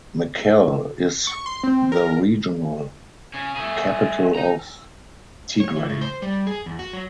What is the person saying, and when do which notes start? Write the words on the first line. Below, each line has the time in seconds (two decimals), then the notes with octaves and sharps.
Mekelle is the regional capital of Tigray.
1.27 C#6
1.46 C6
1.63 C4
1.92 A#4
3.34 C#3 C#4
3.56 A3 G#4
4.35 D#4 A#5
5.60 C#5
5.76 E3
5.90 A2
6.01 C5
6.22 G3
6.47 G#4
6.66 E2
6.79 F#4
6.93 F#3